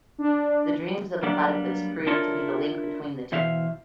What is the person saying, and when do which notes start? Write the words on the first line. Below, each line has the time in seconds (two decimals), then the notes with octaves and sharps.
The dreams of a platypus prove to be the link between the two.
0.18 D4
1.23 F#3 G3 A#3 B3 D4
2.07 D4 E4 F4 A4 A#4 C#5
3.32 B2 E3 C5 E5 F5